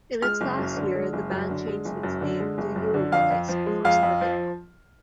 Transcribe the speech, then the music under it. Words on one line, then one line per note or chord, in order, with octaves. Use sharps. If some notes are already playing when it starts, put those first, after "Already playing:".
In its last year the band changed its name to Euroboys before splitting up.
G#3 F6
F#1
F#2
D3
G#3
F#1
F#2
D3
G#3
F#1
F#2
D3
G#3
F#1
F#2
D3
F2 F5
F2
F3
G#3
F2 F5
F2
F3